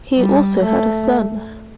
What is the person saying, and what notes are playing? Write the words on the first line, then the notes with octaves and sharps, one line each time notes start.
He also had a son.
G3
A3